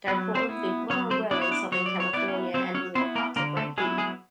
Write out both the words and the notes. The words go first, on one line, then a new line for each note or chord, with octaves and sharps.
They reportedly grow well in Southern California and warmer parts of Great Britain.
F#3 B3 B4
C4 C5
B3 E4
F#3 C#4 C#5
C4 C5
B3 D4 E4 D5
C#5
D4 D5
F#3 C#5
D5
C#5
B3 E4 D5
C#4 C#5
F#3 C4 C5
C#4 C#5
B3 C4 E4 C5
A#3 A#4
D3 A#3 A#4
A3 A4
F#3 G#3 B3 E4 G#4
G#3 G#4